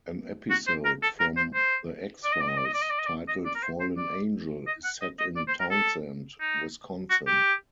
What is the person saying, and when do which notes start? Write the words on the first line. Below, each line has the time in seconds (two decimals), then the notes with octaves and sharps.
An episode from "The X-Files" titled "Fallen Angel" is set in Townsend, Wisconsin.
0.50 F#4
0.67 C5
0.85 A#4
1.02 A4
1.20 A#4
1.37 C5
1.55 C5
2.24 D5
2.32 D#5
2.41 D5
2.48 D#5
2.57 D5
2.65 D#5
2.73 D5
2.82 D#5
2.90 D5
2.99 D#5
3.06 D5
3.28 D#5
3.45 D5
3.55 A#4
3.63 C5
3.80 C5
3.97 D5
4.67 D#5
4.84 F#5
5.02 D#5
5.19 D#5
5.36 D5
5.48 C5
5.60 A#4
5.71 A4
6.40 D#4
7.10 F#4
7.27 G4